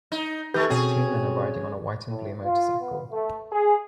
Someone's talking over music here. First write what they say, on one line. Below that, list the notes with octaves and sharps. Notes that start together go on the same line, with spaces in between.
Two men are riding on a white and blue motorcycle.
D#4
D#3 A3 G4 B4 G6
B2 C4 C#4 F#4 G#4 G5
A2
F4
B3
A3
G#4